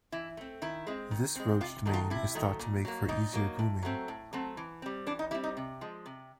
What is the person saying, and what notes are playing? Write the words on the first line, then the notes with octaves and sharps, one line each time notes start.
This roached mane is thought to make for easier grooming.
E3 E4
A3 C4
D#3 E4
G#3 C4
D#3
G#3 C4
C3 F4
D#3 F#3 A3
F4
C3 E4
D#3 F#3 A3
A#2
F#3 A#3
A#2 D#4
F#3 A#3
A2
F#3 A3 C4
A2
F#3 A3 C4
E3
G3 C4
E3 D4
D#4
G3 C4 E4
D#4
C3
F3 G#3
C3